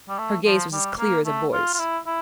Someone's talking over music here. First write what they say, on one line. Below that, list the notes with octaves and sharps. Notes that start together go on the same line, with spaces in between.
Her gaze was as clear as a boy's.
G3
A3
F3
G3
A#3
A3
F4
F4
E4
E4